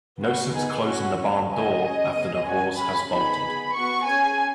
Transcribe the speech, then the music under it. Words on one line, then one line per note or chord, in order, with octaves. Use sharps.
No sense closing the barn door after the horse has bolted.
B3 F#4
B3 D#4 G#4
C#4 F#4
C#4 F#4
C#4 G#4 D#5
C#4 G#4
B3 G#4
C#4 F#4 G#5
C#4 G#4 B5
B3 D#4 G#4 B5
B3 G#4
B3 F#4 C#6
C#4 G#4 G#5